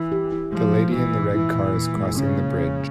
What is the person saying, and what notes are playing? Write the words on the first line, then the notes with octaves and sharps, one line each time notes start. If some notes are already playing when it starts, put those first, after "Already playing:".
The lady in the red car is crossing the bridge.
Already playing: E3 E4
G4
E4
F3 G#3
A#2
A#2 E3
A#2
E3 E4
A#2
A#2
G#3
C#3 C#4
A#3
C#4